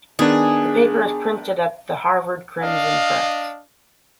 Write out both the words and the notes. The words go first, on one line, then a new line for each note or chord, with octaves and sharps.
The paper is printed at "The Harvard Crimson" press.
D#3 B3 D4 G#4
D4 D#5 F5